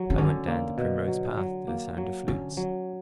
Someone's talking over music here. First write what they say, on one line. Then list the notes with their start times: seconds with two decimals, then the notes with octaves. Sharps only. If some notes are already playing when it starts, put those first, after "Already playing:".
I went down the primrose path to the sound of flutes.
Already playing: F#3
0.10 C#3
0.18 D3 C#4
0.48 A#3
0.78 B2
1.08 F#3
1.37 F#3
1.68 A#3
1.98 F#3
2.28 D3 C#4
2.57 F#3